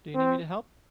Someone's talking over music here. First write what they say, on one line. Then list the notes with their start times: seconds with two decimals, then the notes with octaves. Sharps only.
Do you need me to help?
0.14 C4